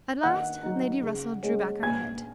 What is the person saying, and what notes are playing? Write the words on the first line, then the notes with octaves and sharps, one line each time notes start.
At last, Lady Russell drew back her head.
D#3 F#5 F#6
F#3 D#4
C#3
G#3 C#4
A#2 G#5 G#6